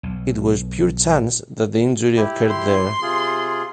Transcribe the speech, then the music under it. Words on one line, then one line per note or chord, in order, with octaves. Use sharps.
It was pure chance that the injury occurred there.
B1
E4 G4
C6
C3 F4 G#4